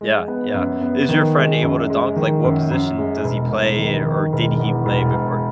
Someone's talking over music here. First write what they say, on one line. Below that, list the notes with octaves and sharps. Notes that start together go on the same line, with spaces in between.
Yeah, yeah. Is your friend able to dunk? Like, what position does he play, or did he play before
G#3
B3
F#2
B3
D#3
G#3
F#2
G#3
D#3
F#2
F#2
G#3
E1
E1
D#3
D#3
E1
E2
E1
E1